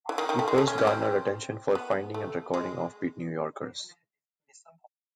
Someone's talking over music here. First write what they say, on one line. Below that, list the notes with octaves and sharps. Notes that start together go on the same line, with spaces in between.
He first garnered attention for finding and recording offbeat New Yorkers.
E3
D#3
D#3
A3
G#3
A3
C#4
C#4
C4
B3
A3
G#3